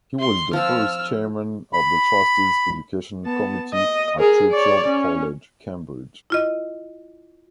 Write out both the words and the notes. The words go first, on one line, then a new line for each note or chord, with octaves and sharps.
He was the first chairman of the Trustee's education committee at Churchill College, Cambridge.
C6
F3 C4 A5 E6 F6
B5
B3 A5
D#5
G#4 A#4
C#5 D5
C#4
E4 F4 D#5